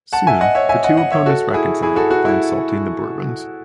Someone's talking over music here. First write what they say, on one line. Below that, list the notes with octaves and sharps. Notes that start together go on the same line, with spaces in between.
Soon the two opponents reconciled by insulting the Bourbons.
F#5 A5
E5 G#5
D#5 F#5
C#5 E5
E5 G#5
D#5 F#5
D#5 F#5
C#5 E5
F#4 A4
E4 G#4
E4 G#4
F#4 A4
F#4
E4